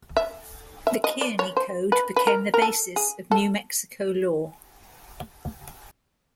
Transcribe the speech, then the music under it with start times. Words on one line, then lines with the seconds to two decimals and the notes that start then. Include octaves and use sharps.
The Kearny Code became the basis of New Mexico law.
0.17 E5
0.87 E5
1.04 D#5
1.21 D5
1.39 C#5
1.57 C5
1.92 B4
2.16 B4
2.27 A#4
2.54 A#4
2.62 A4
2.96 G#4
3.31 A4